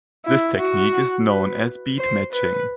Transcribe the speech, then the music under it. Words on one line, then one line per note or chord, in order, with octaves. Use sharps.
This technique is known as beatmatching.
E4
F#4
B4
C5
B4